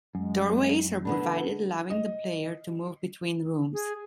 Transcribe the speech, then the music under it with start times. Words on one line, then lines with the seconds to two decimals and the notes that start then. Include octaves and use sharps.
Doorways are provided allowing the player to move between rooms.
0.15 F#2 G#3
1.05 D3 B3 D4 B5
1.90 D#5
3.73 G#4